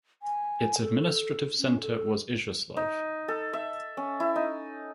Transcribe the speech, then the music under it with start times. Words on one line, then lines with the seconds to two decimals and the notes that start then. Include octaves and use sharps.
Its administrative centre was Iziaslav.
0.22 G#5
0.80 A4
1.59 C#4
1.81 A4
2.77 D#4
3.28 A4
3.53 E5
3.97 C#4
4.20 E4
4.36 D#4